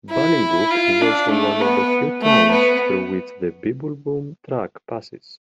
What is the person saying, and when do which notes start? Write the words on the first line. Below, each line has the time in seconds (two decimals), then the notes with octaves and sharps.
Balingup is also one of the few towns through which the Bibbulmun Track passes.
0.10 E4
0.70 F4
1.01 D4
1.31 A3
1.61 B3
2.22 A3
2.51 B3